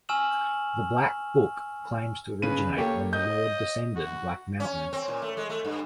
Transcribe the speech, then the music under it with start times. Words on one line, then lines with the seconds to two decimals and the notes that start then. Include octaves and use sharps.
The "Black Book" claims to originate when the Lord descended Black Mountain.
0.09 G#5 C#6 E6 F6 E7 F#7
2.42 C#3 B4 D#7
2.77 A#3 G4 A4 C#5
3.13 D#5 G6
3.96 F#4
4.60 C#4
4.93 C4
5.08 A#2
5.22 A3
5.37 G#3
5.49 A3
5.65 G2